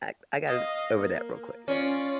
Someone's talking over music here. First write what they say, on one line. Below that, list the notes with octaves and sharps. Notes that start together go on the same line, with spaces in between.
I I got over that real quick.
D#5 F5
A#3
C#4 F4 D5